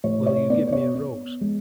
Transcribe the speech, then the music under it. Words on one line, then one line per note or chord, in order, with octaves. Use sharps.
Will you give me a rose?
A2 C#5
C#5
B3 D5
D5
C#5
B3
G#3